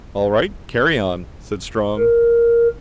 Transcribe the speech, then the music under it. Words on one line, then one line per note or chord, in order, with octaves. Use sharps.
"All right, carry on," said Strong.
A#4